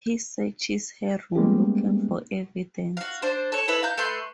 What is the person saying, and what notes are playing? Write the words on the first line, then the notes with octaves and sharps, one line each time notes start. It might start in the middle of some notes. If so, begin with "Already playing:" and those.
He searches her room looking for evidence.
G3 G#3 A#3 B3 C#4 G4
F#4 F5
D4 C5
A4 C#5
E4 A4 B4 E5
F5 A#5 G6
A3 B4 C6 G6